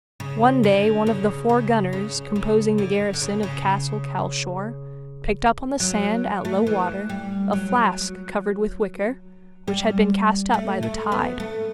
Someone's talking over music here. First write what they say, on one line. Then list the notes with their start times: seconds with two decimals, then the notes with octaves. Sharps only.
One day one of the four gunners composing the garrison of Castle Calshor picked up on the sand at low water a flask covered with wicker, which had been cast up by the tide.
0.20 C#3
0.63 D3
1.07 C#3
1.49 C#3
1.93 C#3
2.36 C#3
2.78 D3
3.14 D3
3.22 C#3
3.43 C#3
5.80 F#3
6.45 A3
6.67 E3
7.10 G3
7.53 F#3
9.68 G3
10.54 A3
10.83 A3
11.12 B3
11.40 A3